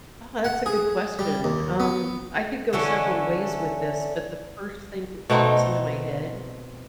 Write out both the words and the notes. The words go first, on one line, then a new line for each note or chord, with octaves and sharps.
Ah, that's a good question, um, I could go several ways with this, but the first thing that pops into my head
F#5
G#4
G3
D#2
B3
D3 E3 A3 C#4
B2 A3 C4 D#4